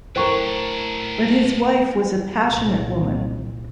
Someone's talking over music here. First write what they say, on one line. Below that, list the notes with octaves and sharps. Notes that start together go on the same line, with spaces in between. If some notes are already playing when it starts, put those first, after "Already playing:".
But his wife was a passionate woman.
A2 D4 E4 A#4 C5 G5 C#6
C2 A#2